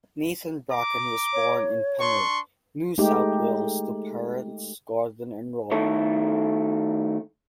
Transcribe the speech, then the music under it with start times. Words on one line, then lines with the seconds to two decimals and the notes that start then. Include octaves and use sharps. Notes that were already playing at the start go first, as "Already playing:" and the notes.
Nathan Bracken was born in Penrith, New South Wales to parents Gordon and Robin.
0.71 A#5 D6
1.33 C#5
1.99 D4 C6 C#6
2.98 G#3 A3 D#4 G4
5.71 D#3 A3 E4 A4 C#5